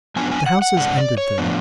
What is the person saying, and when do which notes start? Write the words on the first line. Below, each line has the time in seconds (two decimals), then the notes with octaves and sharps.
The houses ended there.
0.16 F#2 F3 B3 D4 G#5
0.31 G#5
0.46 F#5
0.62 F#5
0.77 G#2 G#3 D4 F#5
0.97 D5
1.18 C#5
1.38 A2 F3 B3 D4